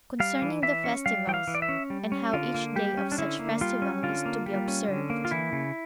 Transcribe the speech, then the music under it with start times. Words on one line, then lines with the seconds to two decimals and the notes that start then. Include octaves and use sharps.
Concerning The Festivals; And How Each Day Of Such Festival Is To Be Observed.
0.20 G3 F5
0.42 E3
0.63 E3 E5
0.84 C#4
1.06 G3 F5
1.27 E3 G5
1.34 F5
1.47 E3
1.55 D5
1.62 E5
1.69 C#4
1.90 G3
2.12 C#4
2.33 D3 F4
2.54 A#3
2.76 G3 G4
2.98 C#4
3.12 D4
3.18 D3 E4
3.39 A#3
3.61 G3 F4
3.82 C#4
4.03 D3 F4
4.25 A#3
4.46 G3
4.68 C#4
4.88 D3
5.10 A#3
5.25 F4
5.31 E3 E4
5.52 C#3